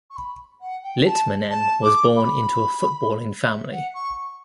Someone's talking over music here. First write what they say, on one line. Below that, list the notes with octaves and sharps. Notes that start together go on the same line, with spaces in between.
Litmanen was born into a footballing family.
C#6
B5
F#5
G5
A5
A5
D6
B5
E5
F#5
C#6